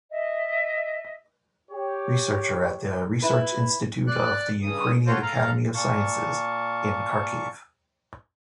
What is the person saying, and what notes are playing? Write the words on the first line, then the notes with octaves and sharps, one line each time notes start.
Researcher at the Research Institute of the Ukrainian Academy of Sciences in Kharkiv.
D#5 E5
G4 C#5
E4 B4
D5 F#6
G2 C#3 D#6
F4 F#4 A4 C5 C#5
A4 F5 A#5
A#2 F5 A5 C#6